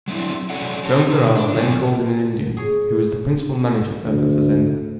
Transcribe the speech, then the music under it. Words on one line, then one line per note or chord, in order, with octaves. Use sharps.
Joam Garral then called in an Indian who was the principal manager of the fazenda.
F#3 B3 C4 D4 E4
F#3 C#4 A4 D5 F#5
G4 C#5 A5
B2 D3
D4
A#2 D#3 F#3
G#4 C#5
D2